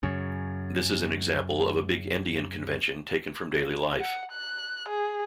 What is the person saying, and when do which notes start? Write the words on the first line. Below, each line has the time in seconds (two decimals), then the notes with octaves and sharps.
This is an example of a big-endian convention taken from daily life.
0.03 F#2 C#3
4.00 F#5
4.32 F#6
4.89 G#4